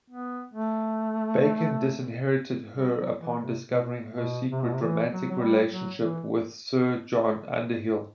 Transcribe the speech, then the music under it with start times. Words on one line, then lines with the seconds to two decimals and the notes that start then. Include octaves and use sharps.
Bacon disinherited her upon discovering her secret romantic relationship with Sir John Underhill.
0.10 B3
0.54 A3
2.75 G3
2.98 F#3
3.19 E3
3.41 C3
3.64 B2
4.08 B2
4.52 C3
4.62 B2
4.72 C3
4.82 E3
5.11 F#3
5.31 F#3
5.41 G3
5.70 F#3
5.99 E3